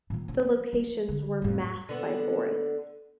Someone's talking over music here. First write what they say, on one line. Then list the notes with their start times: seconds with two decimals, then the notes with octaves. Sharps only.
The locations were masked by forests.
0.10 A#2 D#3
0.28 F3 D4
0.73 F3
1.08 D3
1.42 F2 A2
1.89 D3 B3